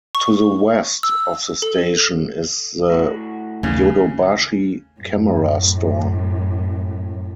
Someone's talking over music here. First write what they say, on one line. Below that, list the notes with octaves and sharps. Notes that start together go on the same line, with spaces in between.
To the west of the station is the Yodobashi Camera store.
C#6
E6
A4
A2 F#4
D#2 C#3 A3
F#2 A2